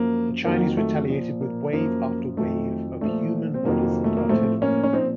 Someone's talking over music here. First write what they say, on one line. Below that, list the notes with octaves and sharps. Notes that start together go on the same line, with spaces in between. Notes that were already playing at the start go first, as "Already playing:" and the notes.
The Chinese retaliated with wave after wave of human bodies and artillery.
Already playing: F#2 F3 A#3
F2 D#3 F#3 A#3
A3
A#2 F3
A#3
F#2 F3 A#3
F2 D#3 F#3 A3
A#2 F3 A3
C4
F2 C3 D#3 F#3 A#3
A3
A#3
A2 F3 A3 C4
A#3 C#4
C#4
A#2 F3 C4 D#4